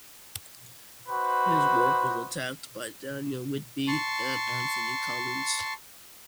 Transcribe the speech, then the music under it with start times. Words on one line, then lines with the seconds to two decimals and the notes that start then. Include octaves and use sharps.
His work was attacked by Daniel Whitby and Anthony Collins.
1.08 D#4 F#4 B4 C5
3.88 A5 C6 C#6